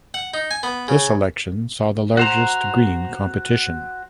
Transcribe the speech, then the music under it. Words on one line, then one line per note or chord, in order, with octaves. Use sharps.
This election saw the largest Green competition.
F#5
D#4
G#5
B3
C#3
F#4 C5 A#5